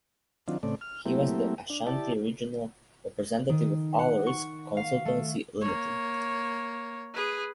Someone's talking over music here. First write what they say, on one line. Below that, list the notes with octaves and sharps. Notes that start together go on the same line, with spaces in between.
He was the Ashanti Regional Representative of All Risk Consultancy Limited.
D#3 F#3 C4 D4 F4
A2 C#3 A3 C4 D5
F6
F#3 A3 A#3 C4 E4 G4
D4
E4 G4 D5 A5
D#3
F#5
C#6
F5
A3
A#3 C#5
G#4 B4